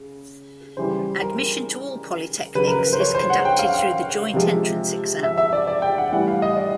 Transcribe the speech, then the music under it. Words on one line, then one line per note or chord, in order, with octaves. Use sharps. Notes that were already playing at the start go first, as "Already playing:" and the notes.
Admission to all Polytechnics is conducted through the Joint Entrance Exam.
Already playing: C#3
C#3 E3 G3 C5
A#4
C#3 F#3 B4
A#4
B4
C5
C#5
C5
F#5
G5
F5
F5
C3 F3 G#3
E5
E5
D5
D5
G5
F#5
A2 E3 G3 F#5
F5
D#5
D5